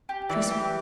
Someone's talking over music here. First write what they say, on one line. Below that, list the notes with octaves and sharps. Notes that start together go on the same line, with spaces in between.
Trust me!
G4
E3 D5
G4